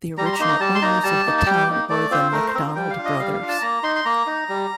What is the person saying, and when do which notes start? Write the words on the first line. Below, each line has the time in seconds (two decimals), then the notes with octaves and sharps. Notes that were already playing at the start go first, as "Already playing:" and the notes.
The original owners of the town were the Mcdonald brothers.
0.18 G3 A#5
0.26 C6
0.33 A#5
0.39 A#3 D#4 C6
0.49 A#5
0.60 G3 A5
0.75 C6
0.82 A#3 D#4 A#5
1.03 G3 A5
1.26 A#3 D#4
1.38 A5
1.46 G3 G5
1.68 A#3 D#4
1.90 A3 D5
2.11 C4 F4 C5
2.32 A3 A#4
2.48 C5
2.54 C4 F4 A#4
2.76 G3 G5
2.90 F5
2.98 D4 F4
3.05 D#5
3.20 G3 F5
3.33 F5
3.41 D4 F4
3.48 A5
3.62 A#3 A#5
3.83 D#4 C6
3.96 C6
4.05 A#3 A#5
4.27 D#4
4.49 G3